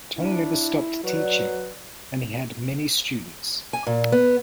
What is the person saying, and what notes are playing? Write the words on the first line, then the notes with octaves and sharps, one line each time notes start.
Tong never stopped teaching, and he had many students.
A#3 C#4 D4 E4
F#3 F#4 B4 D5 F#5
G#5
A#2
B3